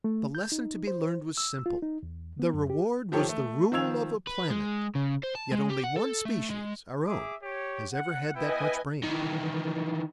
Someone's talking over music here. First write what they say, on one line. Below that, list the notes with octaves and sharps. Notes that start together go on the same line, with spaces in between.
The lesson to be learned was simple: the reward was the rule of a planet. Yet only one species, our own, has ever had that much brains.
A3
G6
D#4
C5
E6
F4
D#4
E2
B3
F#2
G4
D#3 F3 G4 A4 C#5
A3
D#3 F3 F5 E6 G#6 F7
B4
G#3
C#3
C5
A5
G#3
G4
F#5
A4
A3
G#3
G#4 E5 D6
G4 C#5
F#5
B3 E4 B4 D#5 G5 G#5
D#3 E3